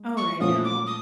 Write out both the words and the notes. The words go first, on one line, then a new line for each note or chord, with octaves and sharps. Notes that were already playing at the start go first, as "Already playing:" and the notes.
Oh, and I know.
Already playing: G#3
C#6
A#2 F3 A3 C#4 F4 D#6
D6
D#6